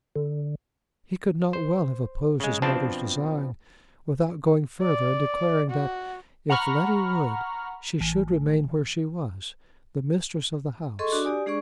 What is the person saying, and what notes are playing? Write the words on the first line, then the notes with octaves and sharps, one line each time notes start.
He could not well have opposed his mother's design without going further and declaring that, if Letty would, she should remain where she was, the mistress of the house.
D3
C5
C#3 G#3
B2 F3 C4 D4 A5
D5
F#4
F#5 A#5 B5 C#6 F6
A1
G#4 A4 D#5 C6 C#6
D4 F#4 D5 D6
G4 D5 G#5 D#6
G#3 D4 G#4 D5 C#6